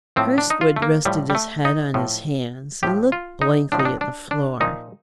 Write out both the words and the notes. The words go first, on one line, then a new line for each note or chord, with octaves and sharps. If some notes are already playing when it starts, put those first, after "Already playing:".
Hurstwood rested his head on his hands and looked blankly at the floor.
A2 F3 C4
D4
D#4
F4
A3
A#3
A2 F3 G3
G3
A3
D#4
A2 F3
A2 F3 G4
F4
D#4
A2 F3 D4
D#4
D4
D4
D4
A#2 F3 D#4